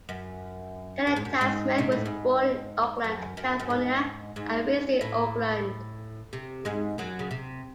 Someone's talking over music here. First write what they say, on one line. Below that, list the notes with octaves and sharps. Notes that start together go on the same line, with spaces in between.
Kellita Smith was born in Oakland, California and raised in Oakland.
F#2
F#2
G#2
F#2
G#2
C3
A2
G#2
F#2
F#2
F#2
G#2
G#2
A2
C3
G#2 G#3
F#2 F#3
C#3
C3